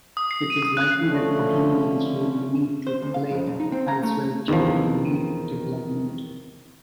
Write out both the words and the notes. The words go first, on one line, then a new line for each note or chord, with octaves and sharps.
It is likely that Bohemians would need to play elsewhere during redevelopment.
D#6
C7
D#7
D#6
F#6
D3 F3 A3 C#4
C5
D2
F5
F2
B1
D#4
C4
A#5
A3
E2 D#3 F3